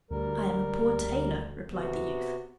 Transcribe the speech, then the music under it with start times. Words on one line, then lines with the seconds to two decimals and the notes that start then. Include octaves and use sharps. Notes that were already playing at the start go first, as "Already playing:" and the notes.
'I am a poor tailor,' replied the youth.
0.11 D2 G3 A#4
1.72 C3 B3 F#4